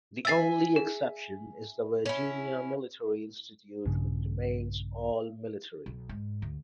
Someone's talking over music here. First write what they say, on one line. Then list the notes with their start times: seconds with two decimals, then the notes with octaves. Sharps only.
The only exception is the Virginia Military Institute, which remains all-military.
0.25 E5 G#5 E6 A6 C7
0.76 G#4
2.06 C#4 E4
3.85 A#1 G2 C#3
5.86 B1
6.09 G#2
6.42 D2